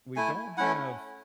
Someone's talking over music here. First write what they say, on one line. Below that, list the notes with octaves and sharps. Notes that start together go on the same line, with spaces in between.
we don't have
A3 E4 G#5
A3 C#4 E4 F#5